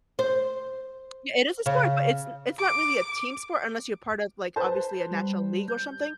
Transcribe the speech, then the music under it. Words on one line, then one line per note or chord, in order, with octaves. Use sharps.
Yeah, it is a sport, but it's n it's not really a team sport unless you're part of, like, obviously, a natural league or something.
C5
C#3
D6
B4 C5 A5
G3
G6